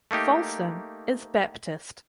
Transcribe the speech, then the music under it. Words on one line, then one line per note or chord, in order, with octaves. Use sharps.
Folsom is Baptist.
A3 A#3 D#4 G4